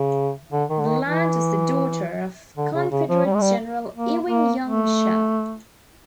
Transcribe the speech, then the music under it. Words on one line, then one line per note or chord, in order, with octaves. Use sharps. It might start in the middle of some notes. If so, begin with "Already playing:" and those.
Bland was the daughter of Confederate General Ewing Young Mitchell.
Already playing: C#3
D3
D#3
D3
D#3
E3
D3
C#3
C#3
F3
G3
G#3
G3
A#3
A#3
A3